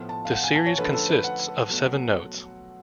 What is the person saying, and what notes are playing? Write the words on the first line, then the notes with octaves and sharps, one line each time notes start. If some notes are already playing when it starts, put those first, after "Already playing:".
The series consists of seven notes.
Already playing: A2 F3 B3
A5
F5
F#5
G#5
A5
C#5
D3 F3 A3 C#4 B4
A4
B4
F#5
B2 F#3 A3